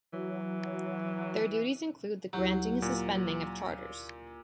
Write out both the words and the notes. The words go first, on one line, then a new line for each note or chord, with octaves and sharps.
Their duties include the granting and suspending of charters.
E3 F#3
D2 F#3 E4 G4
A#2